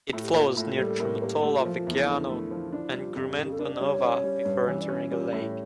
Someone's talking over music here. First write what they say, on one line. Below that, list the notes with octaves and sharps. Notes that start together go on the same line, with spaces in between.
It flows near Tramutola, Viggiano, and Grumento Nova before entering a lake.
A2 F4
G4
A#3 F4
A2
G3 A4
A2 A#4
A#3 G4
A3 G4
F4
F3
F4
E2
E4
D3
A3
F3
D4 E4
G3 F4
F2 G4
C#3 A4
G4
A4
D4 A#4
D5
G3 C#5
C#4
G3
G2
E3 C#5
D5
C#4 C#5
G3 C#5
A2 C#5